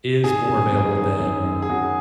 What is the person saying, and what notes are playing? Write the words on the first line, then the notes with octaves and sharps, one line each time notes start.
is more available than
D#3 G#4
F#2
F#2
D#3 G#4
F#2
F#2
G#4
F#2 F#4